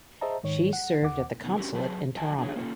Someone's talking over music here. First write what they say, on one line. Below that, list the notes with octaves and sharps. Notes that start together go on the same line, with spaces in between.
She served at the consulate in Toronto.
G#4 C5 D#5 E5 A5 A#5
G#2 D#3 C#5
F#5
D#2 F#5 D6
B2 D#3
C#4 F#4 G4 A#4
F#3 G#4 B4 A5
F2 F#3 D#5 G#5 A5
D4 G#4 C#5
A#3 C#4 F4 A4